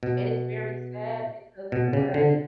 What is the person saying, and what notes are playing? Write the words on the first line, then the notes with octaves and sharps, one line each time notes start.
And it's very sad because it's, like
B2
B2
C#3
D3